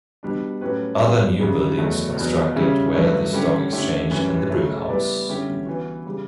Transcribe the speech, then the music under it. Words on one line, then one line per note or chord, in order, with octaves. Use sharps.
Other new buildings constructed were the Stock Exchange and the Brewhouse.
B2 G3 D4
A2 F#3 C#4 G4 B4
E2 B2 G3
F#2 C#3 G3
E2 B2 F#3 A3
E2 B2 F#3
C#3 G3 C#4 E4
G2 F#3 A3 E4 B4
D3 G3 C#4 G4
D3 A3 C#4 E4 G4
F#2 E3 G3 C#4
C#3 F#3 A3
G3 B3 E4 B4 D5
D3 G3 C#4 E4 G4
E3 B3 F#4
C#3 G3